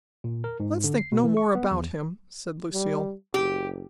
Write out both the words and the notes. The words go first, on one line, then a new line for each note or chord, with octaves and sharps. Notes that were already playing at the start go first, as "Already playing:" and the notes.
"Let's think no more about him," said Lucille.
A#2
A#4
G#2
D3
C7
B2
E3
C#6
B3
E2
G3
F#1 G4